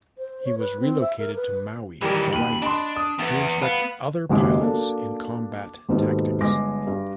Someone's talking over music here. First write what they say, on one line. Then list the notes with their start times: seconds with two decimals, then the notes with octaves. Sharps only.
He was relocated to Maui, Hawaii, to instruct other pilots in combat tactics.
0.18 C5
0.44 C#5
0.58 B4
0.80 C4
1.01 E5
1.18 A#4
1.35 B4
2.02 D#3 E3 G3 A#4
2.33 D#2 B5 D#7
2.62 D4 D#5 B5 C6
2.96 D#6
3.19 E2 B3
3.62 B3 B4 F5
4.29 F#1 D#2 B2 G#3 D#4 D6
4.60 A#3 D4 F#4 A4
5.89 D#2 G#2 B2 A3 B3 D#4
6.41 G1 G#3 G#5 D6 A#6
6.87 G2